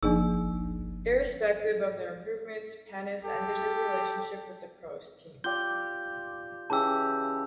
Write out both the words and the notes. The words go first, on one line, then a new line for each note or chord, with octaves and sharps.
Irrespective of the improvements, Panis ended his relationship with the Prost team.
G1 F3 A#3 D4 D#4 G#4 E6
G4 A4
F4 G4 D5 G6 G7
C#3 E3 G4 A5 E6